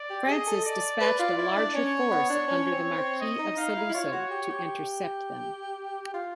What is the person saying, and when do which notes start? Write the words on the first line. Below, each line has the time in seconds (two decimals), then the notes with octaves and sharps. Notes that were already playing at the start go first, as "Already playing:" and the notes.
Francis dispatched a larger force under the Marquis of Saluzzo to intercept them.
Already playing: D5
0.10 G4
0.28 G#4 D#5
0.47 A4
0.65 D5
1.01 B4
1.19 F4
1.38 E4
1.57 D4
1.74 C#4 C#5
2.11 B3
2.30 D4
2.48 C#4
2.71 C4
2.96 C4
3.21 D#5
3.39 D#4
3.57 D#4 F5
3.76 E4
3.89 E4
3.94 F4 C#5
4.12 F#4
4.31 G4
4.48 G4
6.14 F4